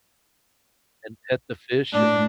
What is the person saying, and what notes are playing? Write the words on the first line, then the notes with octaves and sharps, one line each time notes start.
and pet the fish and
A2 D4